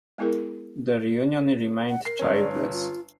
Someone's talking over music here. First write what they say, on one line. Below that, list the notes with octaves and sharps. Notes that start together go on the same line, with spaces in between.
Their union remained childless.
G#3 B3 E4 G#4 A#4
F#5
A#4 C7
G1 C#4
D5
D#4
F4